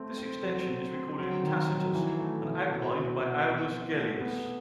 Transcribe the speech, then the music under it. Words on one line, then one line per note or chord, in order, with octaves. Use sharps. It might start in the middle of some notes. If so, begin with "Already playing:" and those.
This extension is recorded in Tacitus and outlined by Aulus Gellius.
Already playing: A3 C4
C4
F#3
C4
C4
F#3
D#3
F#3
E3
A3
E3
B2
B2
B3
C4
E3
A3
B3